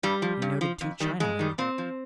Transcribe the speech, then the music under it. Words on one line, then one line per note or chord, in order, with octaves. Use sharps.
He noted two Chinamen.
G2 G3
F3
G2
F3
F2
D#3 G3
F2 G#3
D#3 G3
A#2 C4
F3